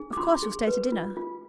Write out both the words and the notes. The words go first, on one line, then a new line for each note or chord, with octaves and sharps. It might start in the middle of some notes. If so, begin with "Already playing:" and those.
"Of course you'll stay to dinner?"
Already playing: D4 G#4
D6
F4 C6
G#4
B4
F4
F4